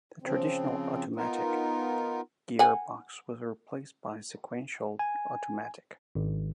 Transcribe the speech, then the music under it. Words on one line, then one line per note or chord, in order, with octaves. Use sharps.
The traditional automatic gearbox was replaced by a sequential automatic.
C#3 F3 C4
B3 D#4 F4 A#4
F#5 G#5
G#5
G#1